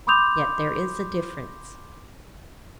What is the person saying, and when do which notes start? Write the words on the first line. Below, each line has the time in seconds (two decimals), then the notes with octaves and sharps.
Yet there is a difference.
0.07 B5 C6 D6 D#6 G6 F7